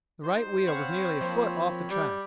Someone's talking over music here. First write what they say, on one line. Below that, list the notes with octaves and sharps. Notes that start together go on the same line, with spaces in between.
The right wheel was nearly a foot off the track.
D#4 C5 C6
C4 C#5 F5 F#5 B5 C#6
F3 A#3
G3